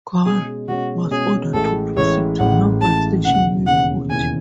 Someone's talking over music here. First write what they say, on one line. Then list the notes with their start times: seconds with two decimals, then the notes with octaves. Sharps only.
"Carr" was ordered to proceed to Naval Station Mayport.
0.26 B2 G#3 C#4 G#4
0.68 B2 G#3 C#4 F#4
1.11 B2 G#3 C#4 G#4
1.54 A1 A2 E3 G#3 A4
1.97 A1 A2 E3 G#3 C#5
2.39 A1 A2 E3 G#3 F#5
2.81 A1 A2 E3 G#3 A5
3.25 E1 D#2 C#3 E3 F#5
3.67 E1 D#2 C#3 E3 F#5
4.10 E1 D#2 C#3 E3 G#5